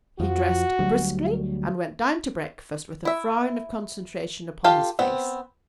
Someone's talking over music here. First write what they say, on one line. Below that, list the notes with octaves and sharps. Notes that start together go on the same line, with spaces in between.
He dressed briskly and went down to breakfast with a frown of concentration upon his face.
F2 F3 F#4
D2 F#3 G3
E4 E5
F4 G4 A4 F5
B3 C4 F#5